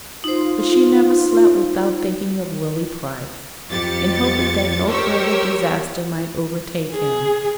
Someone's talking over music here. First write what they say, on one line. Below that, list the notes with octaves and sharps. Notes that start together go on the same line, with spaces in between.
But she never slept without thinking of Willie Price, and hoping that no further disaster might overtake him.
D#4 F4 C5
F2 G4 A6 C#7
G4 A#4 C5 C#5 C#6 E6
G#4